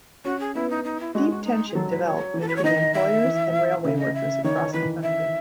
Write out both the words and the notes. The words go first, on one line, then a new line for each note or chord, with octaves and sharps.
Deep tension developed between employers and railway workers across the country.
C#4 F#4
G#4
B3 E4
D#4
D#4
E4
G#3 F#4
F#4
D#4
G#4
F#3 A4
B4
C#5
E3
A4
B4
C#5
D#3 D#5
E5
E3
C#3 E5
D#5
E5
D#3 C#5
E3 B4
E5